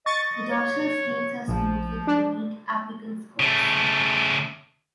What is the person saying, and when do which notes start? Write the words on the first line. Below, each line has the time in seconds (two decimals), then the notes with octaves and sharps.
The dorsal scales are smooth with unique apical scores.
0.06 D#5 C#6 A6
0.50 C#5
1.48 A#1 F3
2.07 D4
3.40 C#3 A3